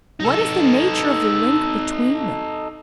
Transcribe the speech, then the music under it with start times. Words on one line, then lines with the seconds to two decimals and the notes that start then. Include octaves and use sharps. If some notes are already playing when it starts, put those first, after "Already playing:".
What is the nature of the link between them?
0.20 D#4 A4